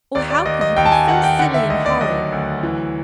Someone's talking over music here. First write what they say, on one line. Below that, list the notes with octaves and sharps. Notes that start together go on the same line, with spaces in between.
Oh, how could you be so silly and horrid?
D#2 D5
D5
D#2 D#5
D#5
D#2 G5
A5
G#5
D#3 F#5
G5
D3 F#5
E5
D2 D#5
D5
F#3 D#5
D2
E3